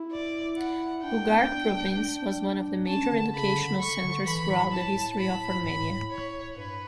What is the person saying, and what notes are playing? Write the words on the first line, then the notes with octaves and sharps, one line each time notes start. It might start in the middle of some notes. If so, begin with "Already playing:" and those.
Gugark province was one of the major educational centres throughout the history of Armenia.
Already playing: E4
D5
F#5
D4 G5
B3
D4
D4
D4
C#4 A5
D3
C#3 B5
D3
C#6
D3
E3 B5
A2
A5
B5
B5
C#5
G2 B4